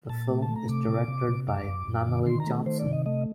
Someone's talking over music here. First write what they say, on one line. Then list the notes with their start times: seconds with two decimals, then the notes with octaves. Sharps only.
The film is directed by Nunnally Johnson.
0.09 A#2 A5
0.29 A3
0.42 A5
0.49 A3
0.56 A#5
0.69 C3 D6
0.88 C3
1.08 C3
1.28 C3
1.48 F#2 D6
1.68 F#2
1.87 F#2
2.07 D3
2.27 D#3 C6
2.40 A#5
2.47 A3
2.66 D#3 C5
2.80 D5
2.86 C3
2.93 D#5
3.06 A3 D#5